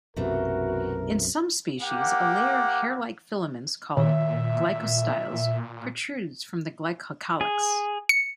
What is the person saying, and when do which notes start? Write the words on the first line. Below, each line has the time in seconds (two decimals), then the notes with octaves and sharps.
In some species, a layer of hair-like filaments called glycostyles protrudes from the glycocalyx.
0.17 B1 F#2 C3 E3 A3 B3 F#4 A#4
1.81 A#3 G4 F#5
3.97 A#2 D#3 E5
7.41 G#4
8.09 C#7